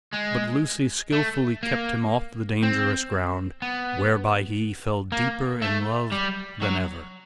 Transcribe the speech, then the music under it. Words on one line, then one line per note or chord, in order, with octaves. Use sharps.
But Lucy skilfully kept him off the dangerous ground, whereby he fell deeper in love than ever.
G#3
A3
A#3
C4
B3
A#3
A3
G3
F#3